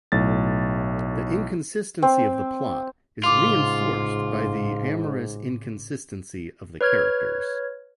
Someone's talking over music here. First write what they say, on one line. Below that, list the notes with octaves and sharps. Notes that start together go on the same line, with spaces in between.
The inconsistency of the plot is reinforced by the amorous inconsistency of the characters.
B1 A2 A6
C4
A1 G#2 C#3 F4 C6 D6
B4 C#5 F6 G#6